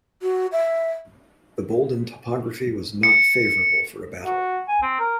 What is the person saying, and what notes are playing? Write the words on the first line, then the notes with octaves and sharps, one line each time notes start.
The Boldon topography was not favorable for a battle.
F#4
E5
C#7
F#4
G#5
C4
A#4